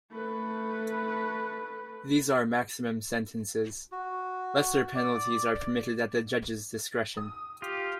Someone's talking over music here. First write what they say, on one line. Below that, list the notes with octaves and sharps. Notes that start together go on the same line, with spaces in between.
These are maximum sentences; lesser penalties are permitted at the judge's discretion.
A3 B4
F#4
D5
D#6
F4 G4